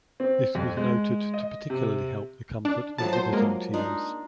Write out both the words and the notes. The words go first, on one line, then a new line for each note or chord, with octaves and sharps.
This was noted to particularly help the comfort of visiting teams.
C4
F2
G#3
D#5
C3
D4
F3 F#3 A3 A5
C5
G#3 A#3
D4 D#4 F4